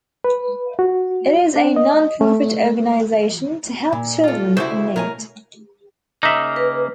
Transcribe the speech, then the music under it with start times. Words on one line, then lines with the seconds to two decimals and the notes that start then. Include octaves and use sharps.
It is a non-profit organisation to help children in need.
0.24 B4
0.79 F#4
1.56 D4
1.76 D#5
2.21 A3
3.93 A#2
4.24 F4 A4
4.57 D2 C#3 E4 F#4 C5
4.96 B2 A#4 C#5 G#5
6.23 C#3 A#3 D#4 E5
6.56 B4